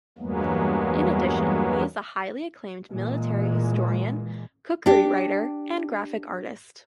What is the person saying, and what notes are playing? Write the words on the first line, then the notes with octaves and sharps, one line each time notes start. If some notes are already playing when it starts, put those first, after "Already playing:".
In addition he is a highly acclaimed military historian, cookery writer, and graphic artist.
E2 G2 F#3 G#3 A#3 B3
A#2 E3 G#3
D4 G4